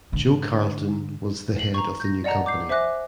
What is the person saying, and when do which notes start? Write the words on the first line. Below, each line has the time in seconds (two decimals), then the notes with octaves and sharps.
Joe Carlton was the head of the new company.
0.12 G#2 D3
1.58 C7 F#7
1.74 A#5 C#6
2.00 G6 A#6
2.24 D5 D#5 F#5 A5 A#5
2.46 D6 G6 C7
2.69 C5 E5 G#5 D6 F#6 A#6